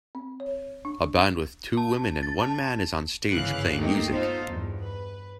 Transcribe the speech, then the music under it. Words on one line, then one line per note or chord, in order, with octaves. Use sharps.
A band with two women and one man is on stage playing music.
C4
C#5
D4
A5
A6
A5
G1 G#2 C#3 E3 F5 F#6
A3 A#3 D#4 G4
B3 D#4 F4 A4 C5
E2 G2
B4